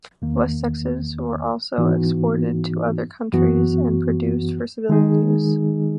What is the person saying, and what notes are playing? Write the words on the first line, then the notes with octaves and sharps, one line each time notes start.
Wessexes were also exported to other countries and produced for civilian use.
E2 D#3 A#3
G#2 E3 B3 D#4 F#4
F#2 E3 B3 F#4
D#3 G#3 D#4 G#4